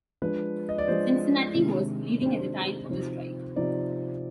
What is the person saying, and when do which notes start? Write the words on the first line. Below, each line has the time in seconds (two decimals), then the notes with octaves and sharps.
Cincinnati was leading at the time of the strike.
0.22 F3 G#3 D4 B4
0.69 D#5
0.78 D5
0.88 F3 G#3 D4 C5
1.55 C3 D#3 G#3 D4
2.22 C3 D#3 G#3 D4 C5
2.89 C3 F3 C4 D#4
3.56 C3 F3 C4 D#4 D5